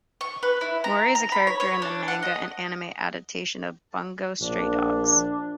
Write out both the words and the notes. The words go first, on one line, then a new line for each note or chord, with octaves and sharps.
Mori is a character in the manga and anime adaptation of "Bungo Stray Dogs".
C#6
B4
E4
A#5
A#5
B5
C#5
C#5
D4
F#5
D#5
A#1 D4